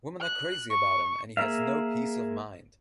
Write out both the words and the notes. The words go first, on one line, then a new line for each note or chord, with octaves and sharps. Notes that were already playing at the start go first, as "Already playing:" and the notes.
Women are crazy about him, and he has no peace of mind.
F#6
C#6
A#3 G#4 A#4 E5 F5